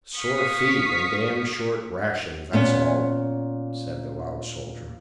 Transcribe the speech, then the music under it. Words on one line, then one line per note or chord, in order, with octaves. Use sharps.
"Sore feet an' damned short rations, that's all," said the loud soldier.
F5 C#6 D#6 B6 C#7
A#2 B3 C#4